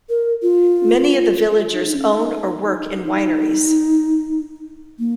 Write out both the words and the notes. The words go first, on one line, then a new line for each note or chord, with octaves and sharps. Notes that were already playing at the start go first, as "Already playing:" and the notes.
Many of the villagers own or work in wineries.
A#4
F4
D#4
D#4
C#4
D#4
D#4
A#3